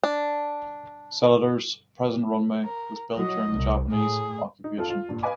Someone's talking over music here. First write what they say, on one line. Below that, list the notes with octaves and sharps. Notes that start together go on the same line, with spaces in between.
Seletar's present runway was built during the Japanese Occupation.
D4
A#4
F#3 D#5
C2
A2 G#4
D#4
F2 F4 A4 F5
F4
G2 A#2
B4 D#5 F5 G#5 B5 D6